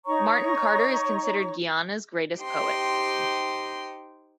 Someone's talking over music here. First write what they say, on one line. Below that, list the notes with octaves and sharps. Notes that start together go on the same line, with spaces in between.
Martin Carter is considered Guyana's greatest poet.
D#4 C#5 A#5 C#6
D#4 G4 C5 G5 C6